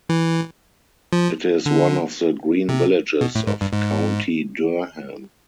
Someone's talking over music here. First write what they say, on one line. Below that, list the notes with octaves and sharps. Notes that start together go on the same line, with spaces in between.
It is one of the "green villages" of County Durham.
E3
F3
D3
C3
B2
A2
G#2
G2
G#2